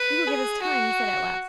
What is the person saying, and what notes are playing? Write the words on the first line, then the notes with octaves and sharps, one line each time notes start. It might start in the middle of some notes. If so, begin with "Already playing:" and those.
"You will give us time," he said at last.
Already playing: B4
G#4
F#4